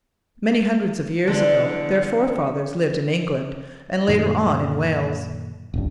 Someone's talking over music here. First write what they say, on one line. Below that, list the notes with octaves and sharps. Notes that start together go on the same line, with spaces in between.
Many hundreds of years ago their forefathers lived in England and later on in Wales.
E2 D3
F#2 A#2 D#3
D#1 G#1 C#2 G2